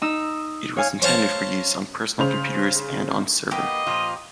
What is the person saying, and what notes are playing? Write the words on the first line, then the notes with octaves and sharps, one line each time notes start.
It was intended for use on personal computers and on server.
D#4 D#6 E6
C#5 F5 G#5
C5 C#5 F5 A5 A#5
C#3 C5 F7
A#3 B3 G4 D#5
A#2 F3 F4